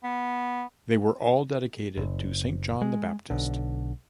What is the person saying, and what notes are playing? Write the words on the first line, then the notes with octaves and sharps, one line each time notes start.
They were all dedicated to Saint John the Baptist.
B3
F#1
G#3
B1 D3